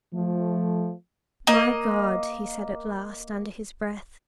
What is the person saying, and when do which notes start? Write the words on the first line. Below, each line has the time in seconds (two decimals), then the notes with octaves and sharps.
"My God!" he said at last, under his breath.
0.13 F3 A3
1.47 A#3 D#5